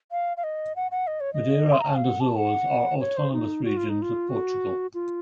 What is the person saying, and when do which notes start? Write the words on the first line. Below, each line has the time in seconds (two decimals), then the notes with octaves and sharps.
Madeira and Azores are Autonomous Regions of Portugal.
0.12 F5
0.37 F5
0.44 D#5
0.76 F#5
0.91 F#5
1.07 D#5
1.20 C#5
1.34 D#5
1.72 C6
1.80 A#5
1.88 A5
1.96 F5
2.04 F#5
2.20 A5
2.36 F#5
3.00 C#5
3.17 C5
3.33 D#4
3.65 F#4
3.77 F4
3.89 D#4
4.02 F4
4.29 F#4
4.94 F4